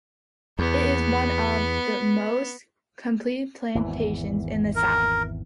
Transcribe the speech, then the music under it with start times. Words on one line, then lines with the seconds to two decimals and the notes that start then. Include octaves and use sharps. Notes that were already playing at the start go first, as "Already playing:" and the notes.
It is one of the most complete plantations in the South.
0.59 E2 B3
3.75 G#1 E2 E3
4.76 A#4